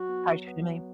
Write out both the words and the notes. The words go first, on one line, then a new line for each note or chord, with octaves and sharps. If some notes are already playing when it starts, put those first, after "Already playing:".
Partridge Family.
Already playing: F#3 F#4
B3
F#3
B3
F#3